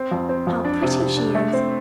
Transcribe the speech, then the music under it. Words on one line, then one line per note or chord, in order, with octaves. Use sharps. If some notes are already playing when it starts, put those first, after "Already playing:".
How pretty she is!
Already playing: C4
F2
C4
F2
D4
C3
C3
D4
A3
C4